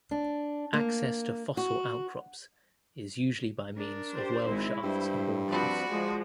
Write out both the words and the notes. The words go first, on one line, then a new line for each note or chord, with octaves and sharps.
Access to fossil outcrops is usually by means of well shafts and boreholes.
D4
A#3
F#4
D4 A#4
G4 C5
G#1 G#3 E4
G2 C5
F3 C4 F#4 B4 D5
F3 G#3